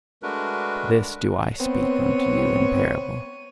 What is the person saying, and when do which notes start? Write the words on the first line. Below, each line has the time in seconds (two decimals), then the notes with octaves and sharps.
This do I speak unto you in parable.
0.23 G#3 A3 D4 F#4 A#4 B4
1.60 B3 C4 C#5 D#7